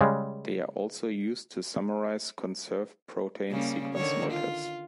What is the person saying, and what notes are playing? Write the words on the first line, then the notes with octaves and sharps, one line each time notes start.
They are also used to summarise conserved protein sequence motifs.
C#3 G3 G#3
C#3 G3 A#3
D3 D#3 C#5
F4